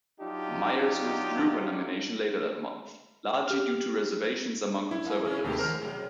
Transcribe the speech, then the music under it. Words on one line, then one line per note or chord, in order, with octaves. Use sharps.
Miers withdrew her nomination later that month, largely due to reservations among conservatives.
F#3 D4 D#4 F4 G4
G4 F6
E4
G2 A#3
C#3 G#3 C#4
D#2 C3 A3 B3 G4 G#4
D#3 G#3 A#4 C5 F6
B2 F#3